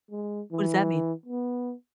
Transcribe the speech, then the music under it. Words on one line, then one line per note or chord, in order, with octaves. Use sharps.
What does that mean?
G#3
E3
B3